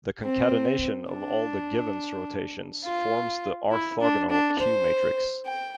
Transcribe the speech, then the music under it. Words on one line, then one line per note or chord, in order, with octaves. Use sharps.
The concatenation of all the Givens rotations forms the orthogonal "Q" matrix.
C4
D4
F4
E4
D4
D4
C5
G5